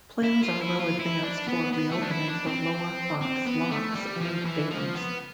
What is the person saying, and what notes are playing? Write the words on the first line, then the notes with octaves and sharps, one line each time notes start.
Plans are well advanced for reopening the Lower Fox locks and dams.
E4
F4
E4
F4
E4
D4
B3
B3
A3
D4
E4
D4
C4
C4
B3
A3
G3
F3
E3
F3
B3